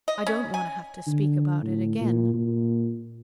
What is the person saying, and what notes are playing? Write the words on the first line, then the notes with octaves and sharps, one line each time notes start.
I don't want to have to speak about it again.
D#5
C#4
G#5
D3
A2
A#2
A#2